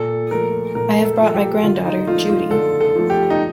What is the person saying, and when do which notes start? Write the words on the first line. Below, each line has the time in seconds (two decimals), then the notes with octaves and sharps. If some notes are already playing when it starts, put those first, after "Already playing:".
I have brought my granddaughter, Judy.
Already playing: A#2 A4
0.31 F3 A3 A#4
0.75 A#2 A#4
1.05 A4
1.19 F3 A3
1.29 A4
1.34 G4
1.63 D3 F4
1.85 D#4
2.07 F3 A3 F4
2.29 F4
2.51 D3 A4
2.81 A4
2.95 F3 A3
3.10 G4
3.30 D#4